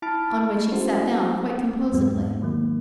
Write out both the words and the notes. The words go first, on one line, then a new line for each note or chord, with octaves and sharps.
On which he sat down quite composedly.
E4 A5 B5 F6 A6 D7
C#4 E4 F#4 C5
E2 G#2 F#3 G#3 B3
D#3 F#3 A#3